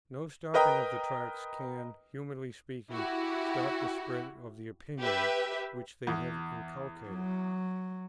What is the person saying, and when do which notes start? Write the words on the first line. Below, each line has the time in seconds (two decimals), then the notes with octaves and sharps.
No stopping of the Tracts can, humanly speaking, stop the spread of the opinions which they have inculcated.
0.54 A#4 B4 D#5 G5 A#5
2.92 E4 F#4 G4
5.00 G4 B4 E5
6.07 E2
7.09 F#3